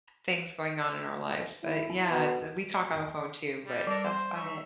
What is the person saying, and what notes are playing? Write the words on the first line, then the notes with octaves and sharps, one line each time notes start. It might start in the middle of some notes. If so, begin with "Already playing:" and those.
things going on in our lives, but yeah, the we talk on the phone too, but that's about it.
E4
B2
G3
G3 D4 A4 A#4
C5
D#4 C#5 E5